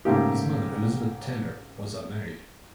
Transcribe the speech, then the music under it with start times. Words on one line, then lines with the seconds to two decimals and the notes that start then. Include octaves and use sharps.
His mother, Elizabeth Taylor, was unmarried.
0.05 G#2 C#3 A3 A#3 D#4 G4